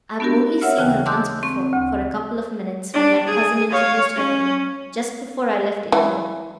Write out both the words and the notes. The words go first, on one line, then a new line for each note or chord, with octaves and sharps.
I have only seen her once before, for a couple of minutes, when my cousin introduced her to me, just before I left England.
B3 D4 F#4 G4 A#4
C#5 E5 F#5 E6 F6
D#2 C#3 E3
A5 C6 D6 E6 F#6 G6
C4 C#6
D2
D4
G#4 G#5
C#5 F5
C#4
E3